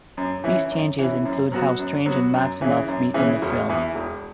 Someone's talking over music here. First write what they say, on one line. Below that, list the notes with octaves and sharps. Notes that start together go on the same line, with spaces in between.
These changes include how Strange and Maximoff meet in the film.
F#2
E3 C#4 E4
F#2
E3 C#4 E4
F#2
F#3 B3 F#4
F#2
F#3 B3 F#4
F#2
C#3 E3 C#4
F#2
C#3 E3 C#4
E1
E2 E3
E1